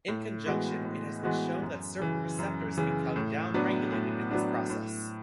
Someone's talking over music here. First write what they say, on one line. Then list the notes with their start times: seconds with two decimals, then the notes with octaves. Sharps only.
In conjunction, it has been shown that certain receptors become down-regulated in this process.
0.08 A2
0.46 E3 G#3 B3 F#4
0.85 A2
1.23 E3 G#3 B3 F#4
1.62 F#2
2.00 C#3 E3
2.39 F#2
2.78 C#3 E3
3.16 A2
3.54 F#3 B3 D4
3.92 A2
4.31 F#3 B3 D4
4.70 A2